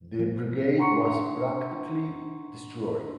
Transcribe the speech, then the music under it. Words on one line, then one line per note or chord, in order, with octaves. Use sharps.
The brigade was practically destroyed.
F3
D4 F#5 A#5 C6 C#6 C#7